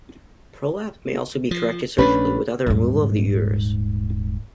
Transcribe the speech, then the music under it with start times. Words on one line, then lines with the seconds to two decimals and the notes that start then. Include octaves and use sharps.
Prolapse may also be corrected surgically without removal of the uterus.
1.51 F3
1.98 A#1 A3 C#4 D4 B4
2.66 D#1 G#2